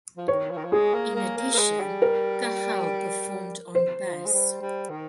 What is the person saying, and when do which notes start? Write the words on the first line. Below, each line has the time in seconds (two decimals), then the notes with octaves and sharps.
In addition, Cachao performed on bass.
0.17 F3
0.28 D#3 C#5
0.50 F3
0.57 D#3
0.64 F3
0.72 G#3 G#4
0.94 A#3
1.15 A#3
1.37 A#3
1.54 A#3
1.58 G#3
1.80 G3
2.02 A#4
3.75 C5
4.03 F3
4.26 G#3
4.33 G3
4.61 G3
4.89 D#3